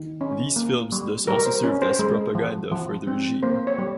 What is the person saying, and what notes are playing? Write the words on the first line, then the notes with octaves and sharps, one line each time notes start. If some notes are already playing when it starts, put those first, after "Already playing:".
These films thus also served as propaganda for the regime.
Already playing: D#3
C#4
A#3
G3
G3 A#4
C5
C#4
C5
G#3
F3
F3
C4
A#3 C5
C#5
G3